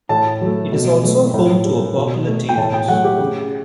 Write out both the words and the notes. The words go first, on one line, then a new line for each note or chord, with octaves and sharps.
It is also home to a popular Tea Rooms.
A2 A5
F#3 A3
B2
F#3 A3
A2
G3
B2
A3
G5
A2 A5
G5
F#3 A3 F#5
G4
C#3